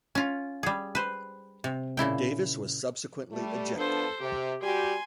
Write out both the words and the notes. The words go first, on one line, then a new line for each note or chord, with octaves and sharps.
Davis was subsequently ejected.
C#4 F4
G3 G#4
B4 C5
C3
A#2 C#3 E4 G5
G3 A3
F3 B3 D4 A4 C5
C3 G4
G3 F#4 G4 G#5 C6